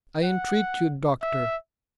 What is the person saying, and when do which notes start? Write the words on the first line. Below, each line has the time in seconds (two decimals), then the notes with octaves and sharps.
"I entreat you, doctor!"
0.23 F#5
1.22 E5